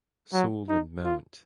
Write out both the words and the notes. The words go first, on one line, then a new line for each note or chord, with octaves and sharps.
Sole and Mt.
F#3
D#4
F4